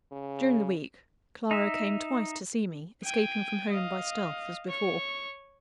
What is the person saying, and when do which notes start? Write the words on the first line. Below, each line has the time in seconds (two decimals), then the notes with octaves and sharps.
During the week, Clara came twice to see me--escaping from home by stealth, as before.
0.12 C#3
1.51 D#4 E5
3.03 G5 G#5
3.71 D#5 F5
4.67 C#5 C#6